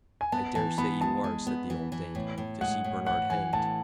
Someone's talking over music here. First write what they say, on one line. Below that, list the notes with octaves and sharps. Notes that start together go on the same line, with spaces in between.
"I daresay you are," said the old dame, "to see Bernard hanged."
G#5
B3 A5
E3 A5
B3 B5
G#3 A5
G#3
B3
E3
E3
A2
A2
G#3 F#5
A2
E3 F#5
E3 G#5
A2 A5